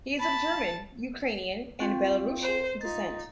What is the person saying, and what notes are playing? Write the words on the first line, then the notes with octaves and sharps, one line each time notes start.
He is of German, Ukrainian, and Belarussian descent.
A5 B5
C4 F4 G5
C5
D#4 F4 A6